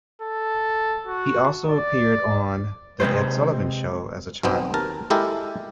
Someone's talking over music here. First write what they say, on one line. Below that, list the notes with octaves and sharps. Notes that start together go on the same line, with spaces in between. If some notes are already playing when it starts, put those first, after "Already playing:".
He also appeared on "The Ed Sullivan Show" as a child.
A4
F#4
D5
C3 G#3 B4 C5
B1 B2 B3 C4 G5
D#2 A#4 A5
G#3 E4 G4 A4 A#4